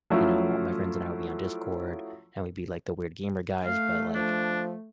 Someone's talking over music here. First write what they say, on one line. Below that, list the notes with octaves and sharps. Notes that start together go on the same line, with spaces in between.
you know, all my friends and I would be on Discord, and we'd be like the weird gamer guys, but, like,
F3 F#3 A3 C#4 E4 F4
A3 F5
F3 D4